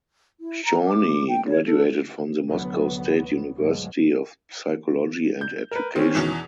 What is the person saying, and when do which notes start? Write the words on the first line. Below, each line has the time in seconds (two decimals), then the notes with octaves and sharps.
Chorny graduated from the Moscow State University of Psychology and Education.
0.40 E4
0.64 A#5
0.85 D6
1.27 G5
1.48 C#5
1.65 A4
2.49 F1 D2 F#3 B3
3.58 D2 G2 B2 F3 F#3 G#3
5.41 G6
5.71 A#4 B4
5.96 D#3 C4 C#4
6.15 E2 B2 E3